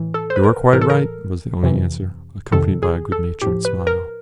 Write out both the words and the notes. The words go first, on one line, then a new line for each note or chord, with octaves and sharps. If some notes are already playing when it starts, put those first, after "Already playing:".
"You are quite right," was the only answer, accompanied by a good-natured smile.
Already playing: A2 E3
A4
C5
B4
A#4
A2 E3 A#4
A4
A#4
F2 C3 E3
F2 C3 D#3 A4
G#4
A4
A2 F3 G4
B4
A#4